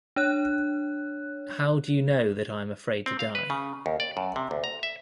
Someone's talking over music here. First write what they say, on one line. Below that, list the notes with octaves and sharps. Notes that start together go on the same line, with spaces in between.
How do you know that I am afraid to die?
D4 C#5 F#6
C4
F5
B4
C#3
D#2
D5
F#2
C3
D2
A#5
E5